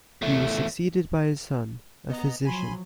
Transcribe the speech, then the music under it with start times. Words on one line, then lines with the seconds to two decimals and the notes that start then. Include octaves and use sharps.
He was succeeded by his son, a physician.
0.22 E2 A3
2.10 B3 D#5 A#5
2.45 F3 F#3 G#5 B5 C6